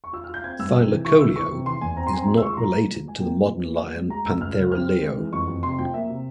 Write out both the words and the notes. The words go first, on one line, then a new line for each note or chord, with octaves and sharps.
"Thylacoleo" is not related to the modern lion "Panthera leo".
C#6
F4 E6
F6
F4 G6
C4 G#6
G2 E6
C3
E3
E4 C#6
E3 E6
E3 C#6
C3
E3 C6
E2 G#5
C4 A#5
C6
C4 G#5
A#5
G#3 C6
E6
F3 C#6
C6
F3 A#5
G#3
F3
G#3
G#5
A#3 G5
E4
F3
A#3
F3
G#3
G#3 A#5
C#2 E6
C#2 F6
C#3
C4 F6
C4
G#3
E3
F2 C#6
F2
C3 C6
F3 G5
A#3 E5
C3